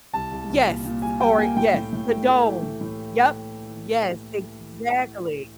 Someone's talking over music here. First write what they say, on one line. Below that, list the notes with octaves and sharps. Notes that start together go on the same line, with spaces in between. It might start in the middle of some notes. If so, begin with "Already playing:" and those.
Yes, s or yes, the dome. Yep. Yes, exactly.
C2 A5
C2
C2
A#2
A#2
G3 G#5
G3 G5
A#3 G#5
A2 G5
A2
A2
A3
A3
E3
A2
A2